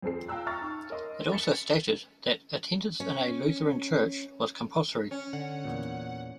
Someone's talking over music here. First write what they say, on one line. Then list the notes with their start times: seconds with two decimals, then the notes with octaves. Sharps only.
It also stated that attendance in a Lutheran church was compulsory.
0.02 F2 C4 G#4 A4 C7
0.28 F4 G5 A5 A#5 E6 F#6
0.46 A5 A#5 C#6 F6 A6
0.61 D#4 C#6
0.90 A#4 D#5 C6
1.32 A6 B6 C#7 E7 F#7
3.00 C#4
5.11 C#4
5.33 D3 F#5
5.65 E2 A#2